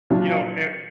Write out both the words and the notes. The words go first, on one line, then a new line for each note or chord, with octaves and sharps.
you know, and
A#2 F#3 D4 F4